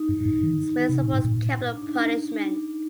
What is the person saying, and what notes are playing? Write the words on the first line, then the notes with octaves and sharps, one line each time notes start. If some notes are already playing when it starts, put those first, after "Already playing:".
Smith supports capital punishment.
Already playing: D#4
G2
G#2
G2
D#3
C3
A#2
G#2
A#2
D4
D#4
D#4